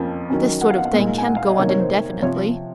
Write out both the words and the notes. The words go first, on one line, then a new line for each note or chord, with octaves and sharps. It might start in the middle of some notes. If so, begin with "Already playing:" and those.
This sort of thing can't go on indefinitely.
Already playing: F2 F3 A#3 C#4
D#3 F#3 C#4
F#5
F5
F#5
F5
A#2 G#3 D#4
G#5
F#5
F5
D#5
C3 D#3 A#3 D#4 C#5
C#5
C5
C3 F3 C#5